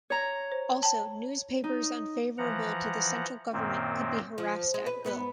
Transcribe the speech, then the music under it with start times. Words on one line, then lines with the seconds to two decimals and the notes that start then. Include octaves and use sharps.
Also, newspapers unfavorable to the central government could be harassed at will.
0.10 C#5 A#5
0.52 C5
0.83 G5 A5
1.64 D#4
2.38 E3 F3 F#5 A#5
3.53 F#2 A#2 D#3 A#3 C4
4.38 F3
4.74 G#3
4.86 B4
5.04 G#2 B3 B4